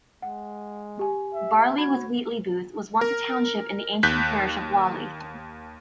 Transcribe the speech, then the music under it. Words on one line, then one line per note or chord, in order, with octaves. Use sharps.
Barley-with-Wheatley Booth was once a township in the ancient parish of Whalley.
G#3 F#5
G4 G#5
E5
F#4 B5 G#6
A#4
D#2 F#6 G6 B6